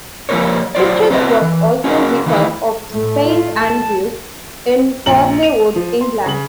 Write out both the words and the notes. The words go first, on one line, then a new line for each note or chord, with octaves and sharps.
Pytches was also vicar of Saint Andrew's, in Chorleywood England.
F3 G3 A#3 A4 A#4 C#5
F#3 F4 C5 D5
C4 F#4 B4 D#5 E5
E3
C#4 F#4 G#4 A#4
D#3 E3 A3 D#4 E4
A2 A3
F4
A5
A#1 A#2 A#5 F#7
D#7 F7
F3
C6
C#3 F#7